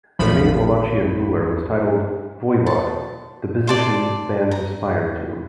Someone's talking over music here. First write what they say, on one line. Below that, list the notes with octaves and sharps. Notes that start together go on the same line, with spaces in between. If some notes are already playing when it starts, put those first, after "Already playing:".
The main Wallachian ruler was titled voivod, the position bans aspired to.
A1 E2 F3 B5
A5
D5 A5 C6
A#5